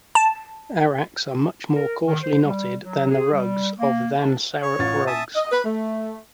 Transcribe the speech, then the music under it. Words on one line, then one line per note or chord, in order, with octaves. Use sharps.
Araks are much more coarsely knotted than the rugs of than Sarouk rugs.
A5
A#4
D#3
C5
G3
F#3
G#4
G3
A#3
D4
C#5 C#6
A1 F4 A6
E5 G#5 A5 D#6
D#5
B4
A3